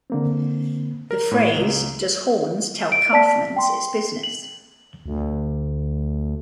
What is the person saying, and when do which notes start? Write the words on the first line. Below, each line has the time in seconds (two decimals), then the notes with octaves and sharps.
The phrase Does Horne's tell Kaufmann's its business?
0.10 D3 A#3 C4
1.11 A#4
1.31 A2
1.55 C#2
2.92 D7
3.13 D5 A5 B6
3.56 G5 C6
4.23 F#7
5.06 D2